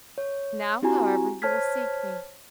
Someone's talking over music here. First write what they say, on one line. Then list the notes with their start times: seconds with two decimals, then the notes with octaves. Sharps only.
Now, however, you will seek me.
0.18 C#5
0.82 C4 E4 F#4 G4 G#5 A#5
1.42 C5 C#5 A5 F6 G#6 B6